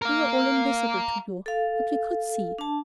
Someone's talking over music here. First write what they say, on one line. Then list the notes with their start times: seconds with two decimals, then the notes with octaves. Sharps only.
We were all invisible to you; but we could see.
0.02 A#4 F5
1.46 A4 F5
2.58 D4 A5